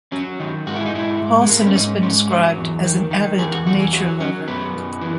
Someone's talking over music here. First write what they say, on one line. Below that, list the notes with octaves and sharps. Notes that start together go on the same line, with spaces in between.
Paulson has been described as an avid nature lover.
F#3 C#4
D#3
G#2 F#4
E4
D#4
G#2 E4
G#2
G#3
G#2 A#3
B3
C#4
G#2 D#4
G#2 C#4
F#3
E2
D#3
D#3
E2 G#4
F#4
E2 F#4
G#4
F#3 F#4
F#3 C#4
F#2 B3
F#2
E3